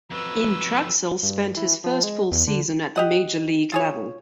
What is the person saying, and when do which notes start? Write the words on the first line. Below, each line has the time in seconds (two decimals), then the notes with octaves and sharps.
In Trachsel spent his first full season at the Major League level.
0.11 F2 F#3 B4 E6
1.23 G2
1.57 E3
1.84 F3
2.04 G#3
2.31 E2
2.47 D3
2.96 G4 D#5 F#5
3.72 F4 G#4 C#5